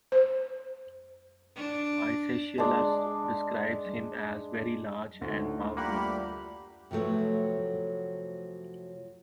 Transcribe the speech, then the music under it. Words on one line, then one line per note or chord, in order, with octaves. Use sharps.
Aeschylus describes him as very large and powerful.
C5
D4
G#3 D4
D2 A2 D#4
G3 A3 A#3 F4 G4 F#5 B5
C3 F3 F#3 A3 B3